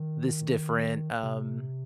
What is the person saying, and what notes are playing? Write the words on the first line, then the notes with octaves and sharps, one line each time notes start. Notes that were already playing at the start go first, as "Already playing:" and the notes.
this different, um,
Already playing: D#3
C3